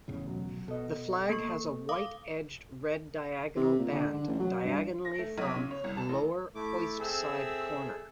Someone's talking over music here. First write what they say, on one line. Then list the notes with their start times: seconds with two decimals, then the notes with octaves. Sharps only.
The flag has a white-edged red diagonal band diagonally from the lower hoist-side corner.
0.08 E2 A2 C#3
0.24 D#2 B2 F#3
0.68 B2 A4 D#5
1.29 A#3 A4 C#6
1.89 F5 D6 D#6
3.56 C3
3.79 A#2
3.92 D3
4.13 D3
4.27 A1
4.40 F#3
4.64 G2
5.05 A#6
5.19 A3
5.38 B1
5.56 C#3
5.71 C#5
5.84 C2
5.97 A5
6.09 A1
6.55 A3 E4 D6
6.98 C4 G#4 A4 E5